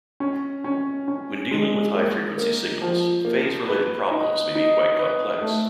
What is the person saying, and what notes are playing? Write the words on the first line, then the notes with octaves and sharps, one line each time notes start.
When dealing with high frequency signals, phase-related problems may be quite complex.
C#4
C#4
C#4
G#3
A#3
A#3
F3
A#3
B4
D#4
D#4
B4
A3